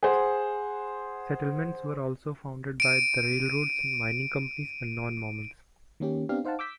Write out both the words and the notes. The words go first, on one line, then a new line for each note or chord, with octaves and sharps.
Settlements were also founded by the railroads, mining companies and non-Mormons.
G#4 C5 F#5
D7 D#7
D#3 A#3 C#4 G4
B3 C4 D4 G4 F5
D#4 C5 F5 F#5 A5
D6 E6 G6 B6